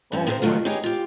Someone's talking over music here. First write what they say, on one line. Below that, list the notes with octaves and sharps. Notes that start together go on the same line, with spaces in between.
oh, boy,
G2 C4 C#4
B3 C4 E4 A4 A#4 C5
D#3 F3 F#3 A3 F4
D#4 G4 G#4 B4 C#5 D#5
F4 G4